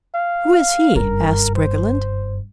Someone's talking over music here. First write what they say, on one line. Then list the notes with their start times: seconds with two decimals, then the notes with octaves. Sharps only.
"Who is he?" asked Briggerland.
0.14 F5
0.95 F#1 G2 A#4
1.56 C5